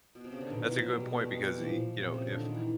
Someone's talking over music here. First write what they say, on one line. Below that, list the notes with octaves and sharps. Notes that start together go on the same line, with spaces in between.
that's a good point because, e you know, if
B2
C3
C#3
D3
B2 D#3
E3
F3
F#3
B2 G3
G#3
A3
G3
G#3
G3
E3 F3
A#2
C3
C#3
D3
D#3
E3